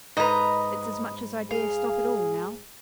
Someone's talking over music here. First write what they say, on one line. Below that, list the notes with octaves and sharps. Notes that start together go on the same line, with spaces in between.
It's as much as I dare stop at all now.'
G#2 B4 D#5 A#5
G#4 F5